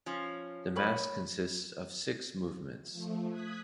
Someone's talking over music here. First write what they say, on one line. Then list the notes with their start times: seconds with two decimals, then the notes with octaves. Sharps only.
The mass consists of six movements.
0.06 F3 C#4
0.76 A#4 C#5 B5
2.91 F3 A3
3.30 D#6 F#6 G#6 B6